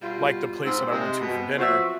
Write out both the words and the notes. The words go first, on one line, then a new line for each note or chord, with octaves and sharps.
like the place that I went to for dinner,
B2 G3 F4
G#2 C4
C3 G#3
B2
F3 F#3 C4 F#4 E5